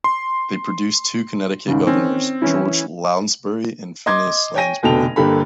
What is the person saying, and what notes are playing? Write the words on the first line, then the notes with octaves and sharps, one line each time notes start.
They produced two Connecticut governors, George Lounsbury and Phineas Lounsbury.
C6
D#2 G#2 C#3
D#3 C4 C#4
E3 C#4 E4
D#5 C6 D6 G#6
C#5 G5 G#5 A#6 D#7
F1 B2 D3 G5 A5 F7
G1 D3 A#3 G4 A4 B5